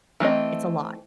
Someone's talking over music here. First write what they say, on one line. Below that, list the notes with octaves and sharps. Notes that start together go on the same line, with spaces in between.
it's a lot.
E3 A3 C4 D#5